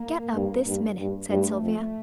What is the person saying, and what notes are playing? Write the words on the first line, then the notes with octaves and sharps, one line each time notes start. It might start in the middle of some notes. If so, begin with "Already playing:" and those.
"Get up this minute," said Sylvia.
Already playing: A#3
G2
G2
G2
G2 A3
F2